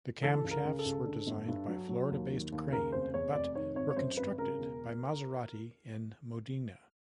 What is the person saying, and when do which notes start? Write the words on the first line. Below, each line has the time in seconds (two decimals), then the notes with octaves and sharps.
The camshafts were designed by Florida-based Crane but were constructed by Maserati in Modena.
0.23 E3 A4
0.45 C#2
0.51 A#4
0.65 C#3
0.79 A4
0.86 C#2
1.06 D3
1.27 G1
1.48 G2
1.68 F#3
1.89 F#3
2.11 D#2
2.31 D#3
2.52 D#2
2.72 C#3 A#4
2.92 F1 C5
3.14 E2 C#5
3.34 F1 D5
3.55 D#3 C#5
3.75 G#1 C#5
3.90 C#5
3.96 F#2 C5
4.17 G#1 B4
4.38 C#3 A#4
4.58 E1